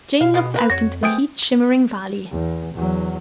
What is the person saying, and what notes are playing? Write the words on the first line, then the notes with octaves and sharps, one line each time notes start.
Jane looked out into the heat-shimmering valley.
B2 F5
G#3 B3
F#4 A#4 B4
F2 F#4 C#5 A#6
A3 B3 C4 G#4 D#6 D7
E2
E2 F#3